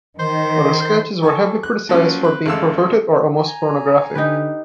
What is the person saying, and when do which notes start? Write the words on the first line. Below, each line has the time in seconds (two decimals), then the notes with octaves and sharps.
Other sketches were heavily criticised for being perverted or almost pornographic.
0.20 D#3 C5
1.23 A4 G#5 C#6
1.63 F#6
1.89 F3 F#3 A#3 C#4
2.21 C4 B4
2.46 A1 G#3 A4 F5 A5 E6
3.45 G#5 A#5
4.15 D3 D#4 G4 B4